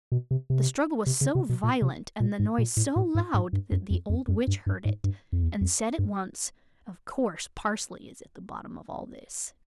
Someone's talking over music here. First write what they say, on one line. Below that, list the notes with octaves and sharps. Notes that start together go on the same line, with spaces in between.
The struggle was so violent and the noise so loud that the old witch heard it, and said at once 'Of course Parsley is at the bottom of all this.'
B2
C3
C3
C3
C#3
C3
B2
A#2
C3
A#2
G#2
A#2
A2
A2
G#2
G#2
G2
F#2
F2
F2
F#2
G2
G2
G#2
G2
F2
E2
F2
G2